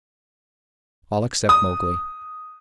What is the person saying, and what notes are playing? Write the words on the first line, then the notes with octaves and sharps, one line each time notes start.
All except Mowgli.
D#6